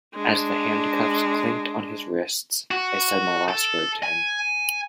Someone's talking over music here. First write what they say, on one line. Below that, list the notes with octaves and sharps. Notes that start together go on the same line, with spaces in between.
As the handcuffs clinked on his wrists I said my last word to him.
G#3 D4
F#4
A4
G#5